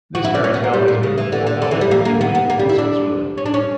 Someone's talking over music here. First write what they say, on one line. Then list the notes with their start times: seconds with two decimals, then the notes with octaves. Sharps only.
This fairytale has been performed all over Italy and Switzerland.
0.15 F#4
0.24 E4
0.35 D4
0.44 C#4
0.54 B3
0.64 A#3
0.73 G3
0.88 A#2
1.03 C#3
1.18 E3
1.32 D3
1.47 D3
1.62 D3
1.71 E3
1.81 G3
1.91 A#3
2.05 A#3
2.21 B3
2.35 B3
2.50 A#3
2.59 G3
2.69 E4
2.78 D4
3.38 C#4
3.46 D4
3.54 C#4